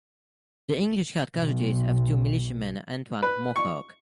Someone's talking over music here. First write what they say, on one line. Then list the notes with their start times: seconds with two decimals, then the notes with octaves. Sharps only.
The English had casualties of two militiamen and one Mohawk.
1.37 B1
3.22 B4
3.56 C#6